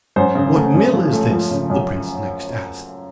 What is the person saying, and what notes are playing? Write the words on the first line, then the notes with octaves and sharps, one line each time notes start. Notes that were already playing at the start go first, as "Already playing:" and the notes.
"What mill is this?" the prince next asked.
F#2 C5
C#3
A3
F#2
F3
A3
F3
C#3
F#2